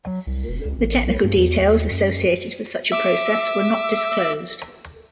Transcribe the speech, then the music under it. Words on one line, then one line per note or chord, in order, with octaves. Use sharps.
The technical details associated with such a process were not disclosed.
F#3
C2
E1
C#2
A1
B1
G2
E2
D#2
F#2
E5 D6 E6